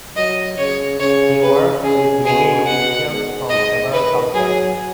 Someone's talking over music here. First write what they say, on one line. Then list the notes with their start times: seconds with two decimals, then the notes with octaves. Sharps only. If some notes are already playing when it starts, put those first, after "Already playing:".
He worked with many musicians from several cultures.
0.16 F#3 D#5
0.58 C#3 C#5
1.00 C#3 C#5
1.42 B4
1.83 C#3 G#4
2.25 B2 G#4
2.67 B2 F#5
3.09 G#2
3.50 G#2 D#5
3.93 D#3 B4
4.35 F#3 G#4